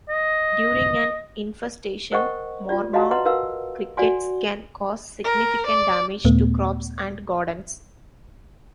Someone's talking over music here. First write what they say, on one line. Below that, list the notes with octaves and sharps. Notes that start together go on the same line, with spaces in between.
During an infestation Mormon crickets can cause significant damage to crops and gardens.
D#5
A#4 C5 D#5 F#5 G5 C#6
F4 G4 D5
F#4 D#5 F5 F#5 A5 A#5
B4 D#5 F#5 A#5 C6
A#4 B4 F5 F#5 E6
F#4 D5 F#5 G#5 C6
A#4
D5
D#2 A#2 A3 B3